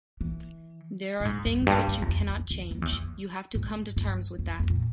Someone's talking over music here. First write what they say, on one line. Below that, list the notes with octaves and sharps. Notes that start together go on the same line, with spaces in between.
There are things which you cannot change, you have to come to terms with that.
E3
A#2
G#2
G2
F2
G2
G2
E2
F2
F2
E2
F2
E2
F2
G#2
G2
F2
F2
A#2